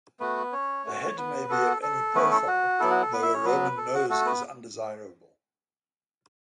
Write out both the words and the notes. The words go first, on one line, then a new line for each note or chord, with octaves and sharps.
The head may be of any profile though a Roman nose is undesirable.
A3 B3 F#4 B4
C#4 C#5
A3 C#4 F#4
C#5
B3 B4
B3 F#4 A4
A4
A3 B3 C#4 E4 B4
A4
F#4
F#3 B3 E4 A4
F#4
A4
B3 B4
E4 E5
C#4 C#5
F#3 B3 F#4 B4
A4
F#4
A3 F#4 A4
B3 B4